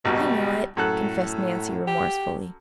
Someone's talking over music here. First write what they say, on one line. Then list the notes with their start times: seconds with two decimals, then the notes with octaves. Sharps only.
"I know it," confessed Nancy remorsefully.
0.05 G#1 C#2 B2 G3
0.77 F#2 A2 A4 F#6
1.87 G4